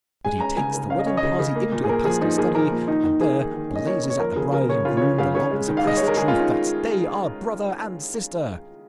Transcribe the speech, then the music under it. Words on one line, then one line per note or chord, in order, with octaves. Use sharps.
But he takes the wedding party into the pastor's study and there blazes at the bride and groom the long-suppressed truth that they are brother and sister.
G#3 G#5
C#4 A#5
C#3 G#5
C#3
C#4 F5
D#5
C#4 C#5
D#5
C#3
C#3
A#3
A#2
G#4
A#2 A#4
F3 G#4
F3 D#4
A#3 G#4
A#2 A#4
A#2
D#3 D#4
D#3
A#3 G#4
D#3
D#3
C#4
D#5
A#3 C#5
A#3
C#5
F3 A#4
C#3 G#4
C#3 A#4
C#3 C#5
C#3 F4
C#3 C#5
C#3 F5
C#3 C#5
G#3
D#3
F5
G#3 D#5
G#3 C#5
A#4
G#3 G#4
F4
C#4
D#4